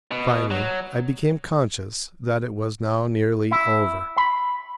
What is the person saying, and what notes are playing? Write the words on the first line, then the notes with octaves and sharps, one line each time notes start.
Finally I became conscious that it was now nearly over.
B2
F#3
E4
B5